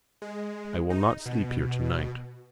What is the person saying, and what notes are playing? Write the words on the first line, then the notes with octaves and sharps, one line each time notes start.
I will not sleep here tonight.
G#3
D#4
B2